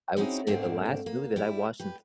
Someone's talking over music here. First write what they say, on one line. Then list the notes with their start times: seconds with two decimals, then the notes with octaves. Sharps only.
I would say the last movie that I watched in th
0.17 C4 C#4 D#4 E4 F#4 G#4
0.47 G#2 B2 A3 A#3 C4 D4
1.06 A#3
1.36 G3 E4
1.79 G4 B4